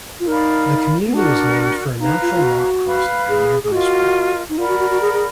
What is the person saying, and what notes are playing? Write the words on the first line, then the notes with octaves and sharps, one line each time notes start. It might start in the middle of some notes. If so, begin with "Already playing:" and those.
The community was named for a natural rock crossing at a nearby spring.
F4
D#4 A#4 D5 F5 B5
B3
D4 F#4 A#4 D5
D#4 B4 F5 A#5
F4
F4
F#4
B4 F5 B5
G#4
G#4
F4 F#4 A#4 D#5
D#4
F4 A#4 D5 F#5 B5
F#4
F#4
F#4
G#4
G#4